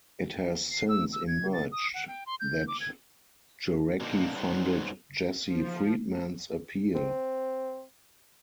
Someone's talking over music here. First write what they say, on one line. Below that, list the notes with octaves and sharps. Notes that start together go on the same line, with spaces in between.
It has since emerged that Jarecki funded Jesse Friedman's appeal.
C7
E6
E6
G#6
A6
D#6
F#5
G5
C6
G6
D6
G#6
A#2 D3 A#3 C4 D4 D#4
F#3 G3 B3 C#4 D#4 C5
F3
C4